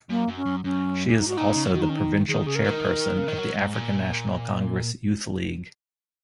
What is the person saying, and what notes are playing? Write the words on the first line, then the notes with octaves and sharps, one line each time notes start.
She is also the provincial chairperson of the African National Congress Youth League.
F#2 A#3
F#2
C#4
F#2
F#2 C#4
A#2
G#2 D#4
F#4
A#2 D#4
C#3
F#3
D#3 F#4
D#4
C#4
D#4
D#3 G#4
C#3 G#4
A#4
D#3
C#3
D#3
F#3
G#2
A#2